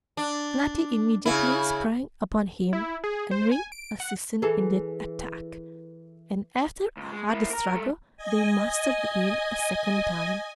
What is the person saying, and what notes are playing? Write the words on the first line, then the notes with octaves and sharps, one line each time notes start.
Snati immediately sprang upon him, and Ring assisted in the attack, and after a hard struggle they mastered him a second time.
D4
C#3 E4
E4
G#4
C5
G#5
D7
F#5
E3 G#4 A4
C#2
G#3
A#3 E4
A#4 A#5
G#3 A4
D#5 G#5